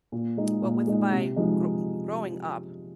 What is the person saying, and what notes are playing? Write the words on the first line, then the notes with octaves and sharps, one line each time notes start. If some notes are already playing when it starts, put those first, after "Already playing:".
Well, with my gro growing up,
A#2
G#3 D#4
A#2
G#3 D#4
C3
F3 G#3 D#4